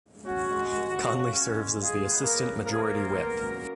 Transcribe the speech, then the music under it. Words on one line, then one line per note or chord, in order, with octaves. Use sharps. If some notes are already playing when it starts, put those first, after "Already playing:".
Conley serves as the Assistant Majority Whip.
C#4 F#4
G#3
D#2
C#3
C#4
G#3
G#3 F4 G#4
B3
A#3 A#4
C#3
F3 A#4
G#4
A#3 A#4
F4
B3
F#2